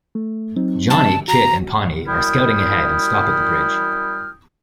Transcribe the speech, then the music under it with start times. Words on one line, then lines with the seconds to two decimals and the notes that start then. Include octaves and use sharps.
Johnny, Kit and Pawnee are scouting ahead and stop at the bridge.
0.15 A3
0.56 F#3 C4 D#4
0.90 A5
1.28 F#4 A#5
2.08 F#2 G3 E4 G5 D#6 F6